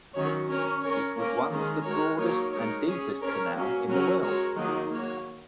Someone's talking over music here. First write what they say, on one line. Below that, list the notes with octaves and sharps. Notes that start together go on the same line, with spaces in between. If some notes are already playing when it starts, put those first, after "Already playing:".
It was once the broadest and deepest canal in the world.
D#3 F#3 C#4 F#4 C#5
C#4 A#4 C#5
C#4 A#4 C#5
A#3 C#4 A#4 C#5
D#3 G#3 C#4 A#4
G#3 F#4 A#4 C#5
F#3 A#3 D#4 A#4 C#5
G#3 D#4 A#4 C#5
C#4 G#4 C#5
C#4 A#4 C#5
F#3 A#3 C#4
F#3 C#4 F#4 A#4 C#5
G#3 F#4 A#4 C#5
D#3 F#3 A#3 D#4 G#4
A#3 F#4 C#5